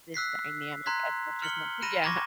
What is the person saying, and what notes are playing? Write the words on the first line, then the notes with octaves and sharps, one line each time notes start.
this dynamic as much as I" Yeah.
E6 F#6 B6 C7
A#5 C6 F#6 G#6 B6
F6 C#7 F#7 G7
B5 A#6 D#7 E7
C#6 D6 G#6 A#6